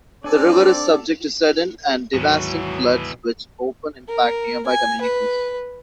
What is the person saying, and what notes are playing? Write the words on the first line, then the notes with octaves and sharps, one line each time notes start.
The river is subject to sudden and devastating floods which often impact nearby communities.
C4 D4 A4 D5 G#5
D2 G#2 B2 D#3 E3 F#3
A#4
G#5
B4